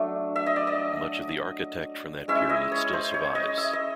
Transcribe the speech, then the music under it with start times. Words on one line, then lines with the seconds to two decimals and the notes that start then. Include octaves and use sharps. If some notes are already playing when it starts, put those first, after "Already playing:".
Much of the architect from that period still survives.
Already playing: F#3 A3 D4
0.36 E5
0.46 D#5
0.56 D5
0.67 D#5
2.28 G#3 C#4 E4 E5
2.49 D#5
2.72 C#5
2.93 C5
3.14 C#5
3.35 D#5
3.58 E5
3.73 D#5